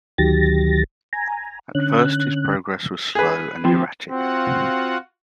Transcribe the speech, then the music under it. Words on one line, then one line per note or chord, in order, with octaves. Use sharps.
At first his progress was slow and erratic.
D2 D#3 F#3 G4 A6 A#6
G#5 A#5
D3 C#4 F#6
G#4 B4
F3 C4
C4 F4 F#4 F#5